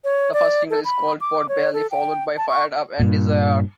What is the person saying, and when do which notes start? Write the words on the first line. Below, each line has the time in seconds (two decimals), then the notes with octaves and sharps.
The first single is called "Pot Belly" followed by "Fired Up" and "Desire".
0.04 C#5
0.34 D5
0.70 A4
0.85 B5
1.21 D6
1.49 C#5
1.74 A4
1.91 G5
2.37 A5
2.49 C#6
3.00 G2 A#2